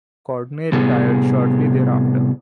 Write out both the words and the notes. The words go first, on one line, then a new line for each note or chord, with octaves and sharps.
Condrey retired shortly thereafter.
A2 C3 G3 B3 G#4